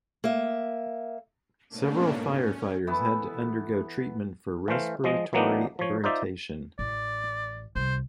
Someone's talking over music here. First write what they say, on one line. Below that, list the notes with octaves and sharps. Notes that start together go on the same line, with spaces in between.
Several firefighters had to undergo treatment for respiratory irritation.
A#3 E5
G#2 B2 A3 A#3 C#4 D4
C#4
E3 B3 A4
E3 A3 C5 F5
F3 G#3 D#5
E3 F#3 A#3 B3 D4 D#4
F3 C#5
D#4 F4 C5 D5 E5
A1 D5
C2 C5